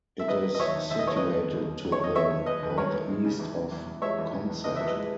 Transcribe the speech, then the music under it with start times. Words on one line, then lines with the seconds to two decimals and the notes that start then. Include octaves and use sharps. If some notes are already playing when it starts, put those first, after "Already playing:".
It is situated to the north-east of Consett.
0.20 E5
0.28 F#3 B4 D#5
0.44 F#3
0.55 D#5
0.59 D#2 C#5 E5
0.76 D#2
0.90 D#2 E5
0.99 D#5
1.07 D#3 C#5
1.17 B4 D#5
1.22 D#2
1.38 D#3
1.53 D#2
1.69 D#2
1.85 F#3
1.92 C#5
1.99 D#2 D#5
2.15 D#3 C#5 E5
2.30 D#3
2.46 D#2 B4 D#5
2.63 D#2
2.70 B4
2.78 G#3 A#4 C#5
2.94 E2
3.09 G#3
3.25 C#3
3.39 E2
3.56 C#3
3.71 E2
3.86 E2
4.02 G#3 C#5 E5
4.18 E2
4.33 C#3
4.50 E2
4.64 E2 D#5
4.76 E2 E5
4.86 B4 D#5
4.95 G#3